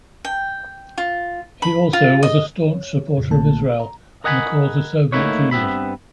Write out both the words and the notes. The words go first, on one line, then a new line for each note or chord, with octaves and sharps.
He also was a staunch supporter of Israel and the cause of Soviet Jews.
G5
F4
B5
F4
D#5
C#5
F2 A#2 C#3
A#1 A#2 D3 A3 A#3 A5
A#5
A#4 D#5 F#5 G#5 A#5 B5
A3 A#3 D#4 E4 B4 C#5
G2 B3 C4 E5 B5